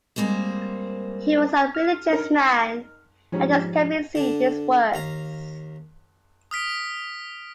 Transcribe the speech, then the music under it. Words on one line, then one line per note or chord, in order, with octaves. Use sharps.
He was a religious man, and this can be seen in his works.
G3 G#3 A#3 C4 C5
F6
D#4 A#4
G#2 F3 G3 C#4
D3 D4
D#2 F5 A#5
D#6 F6 B6 D7